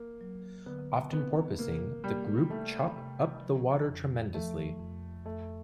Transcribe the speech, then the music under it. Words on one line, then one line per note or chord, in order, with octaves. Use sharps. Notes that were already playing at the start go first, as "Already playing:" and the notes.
Often porpoising, the group chop up the water tremendously.
Already playing: A#3
F#3
D3 B3
B3 C4
C3 A#3
G3 A#3
C3 A3
C3
F3
F2
F3 A3
F2
F2 A3